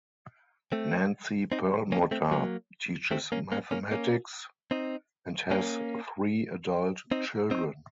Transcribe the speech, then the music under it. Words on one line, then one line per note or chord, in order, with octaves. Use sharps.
Nancy Perlmutter teaches mathematics and has three adult children.
A3 C4
C4 D#4
A#3 C#4
A3 C4
F#3 A#3
A3 C4
A#3 C#4
A#3 C#4
A#3 C#4
A#3 C#4
C4 D#4
A#3 C#4
C4 D#4
C4 D#4